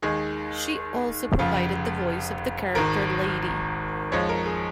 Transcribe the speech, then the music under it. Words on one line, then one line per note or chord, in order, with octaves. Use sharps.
She also provided the voice of the character Lady.
D#2 D#3 G#3 G#4
F1 F2 C#3 F4
G#1 G#2 D#3 A#4
F2 F3 G#3 C#5
A#4
G#4